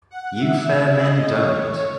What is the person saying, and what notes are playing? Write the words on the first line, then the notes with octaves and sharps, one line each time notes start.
You fair men don't.
F#5
E5
D#5
C#5